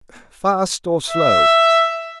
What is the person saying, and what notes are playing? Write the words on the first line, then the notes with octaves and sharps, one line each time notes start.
"Fast or slow?"
E5